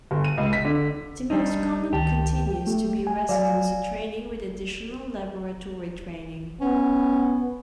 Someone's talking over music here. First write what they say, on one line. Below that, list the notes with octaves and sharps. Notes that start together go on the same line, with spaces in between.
The most common continues to be residency training with additional laboratory training.
G1
D#7
C#2
B6
D3
G3 D4 D#4
C#2 D#3 G4 A5
A3
G#5
F#3 D5 F5 G#5
B3 C#4